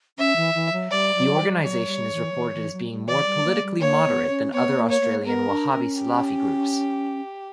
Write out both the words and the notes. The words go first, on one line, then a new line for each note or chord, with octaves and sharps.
The organisation is reported as being more politically moderate than other Australian Wahhabi-Salafi groups.
C#4 E5
E3
E3
F#3
G3 D5
F#3
G3
F#3 C#5
G3
E3
F#3
E3
E3
F#3
G3
E3 D5
G3
A#3
G3
A#3 C#5
B3
C#4
B3 C#5
A#3
C#5
A#3
A#3
B3 A#4
D4
C#4
G4